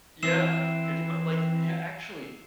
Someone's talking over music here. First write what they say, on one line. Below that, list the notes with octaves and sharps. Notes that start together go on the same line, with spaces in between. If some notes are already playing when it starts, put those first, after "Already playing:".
Yeah. Could you ma like, yeah, actually
E3 C4 E6 C7 E7